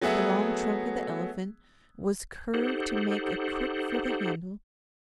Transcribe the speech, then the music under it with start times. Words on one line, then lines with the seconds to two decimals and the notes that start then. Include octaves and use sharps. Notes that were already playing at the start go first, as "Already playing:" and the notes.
The long trunk of the elephant was curved to make a crook for the handle.
0.02 F#3 A3 B3 G#4 E5 F#5
2.54 D#4 G4 A4 C5 F#5